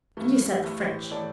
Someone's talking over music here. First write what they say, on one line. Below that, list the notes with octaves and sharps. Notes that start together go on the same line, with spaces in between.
And you said the French...
G2 E3 A3
G2 E3 G3
A3
A2 E3 G4 C5
A2 E3 A4 D5